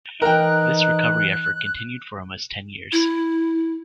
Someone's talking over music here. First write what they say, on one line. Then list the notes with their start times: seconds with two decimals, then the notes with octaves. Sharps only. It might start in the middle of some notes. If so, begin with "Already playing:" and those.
This recovery effort continued for almost ten years.
0.22 E3 D#4 A#4 G5 F#6
2.92 E4